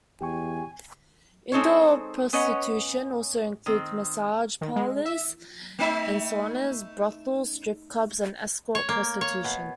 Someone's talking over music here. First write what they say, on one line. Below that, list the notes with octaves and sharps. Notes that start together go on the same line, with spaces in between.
"Indoor prostitution" also includes: massage parlors and saunas, brothels, strip clubs, and escort prostitution.
E2 G4 G5 G#5 C#6
G#3 C4 D#4 A4 C5 C#5
B3 C#4 B4 C#5 D#5 F#5
D#3 C4
D#3
G#3
E5
A3 D#4 E5
C#5
A#3
C#5
B2